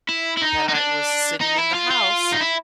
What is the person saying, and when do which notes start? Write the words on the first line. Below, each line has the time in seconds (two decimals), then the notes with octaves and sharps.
that I was sitting in the house,
0.09 E4
0.37 E4
0.42 D#4
0.69 D#4
0.75 D4
1.41 D#4
1.58 E4
1.75 F4
1.91 F4
2.32 D#4
2.41 E4